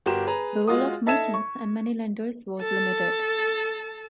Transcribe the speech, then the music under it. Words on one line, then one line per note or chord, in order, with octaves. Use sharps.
The role of merchants and money-lenders was limited.
G1 F#4 G4 A#4 C6 E7
G#4 B4 A#5
G#3 F4 F#4 D#6
D#4 A4 E5 A5 G#6 E7
C#6
A4 A5